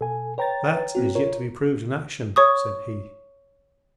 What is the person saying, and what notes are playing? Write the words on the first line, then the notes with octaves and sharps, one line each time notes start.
"That is yet to be proved in action," said he.
B2 A4 G#5
B4 C#5 G5 A#5 A6
B3 C4 F#4
F4 A#4 C#5
C#5 C#6 D#6